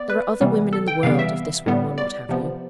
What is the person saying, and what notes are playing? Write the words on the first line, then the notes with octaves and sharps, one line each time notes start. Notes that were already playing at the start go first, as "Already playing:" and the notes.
'There are other women in the world, if this one will not have you.'
Already playing: B3 D5
B4
C3 E3 G3 B3
A4
G5
C3 E3 G3 B3 F5
E5
A2 G3 B3
D5
C3 F3 B3